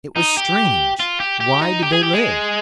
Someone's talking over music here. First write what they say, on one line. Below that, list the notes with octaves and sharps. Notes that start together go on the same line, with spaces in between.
It was strange--why did they live?
D#4
G4
F4
G4
G4
D#4
G4
G#4
G4
G#3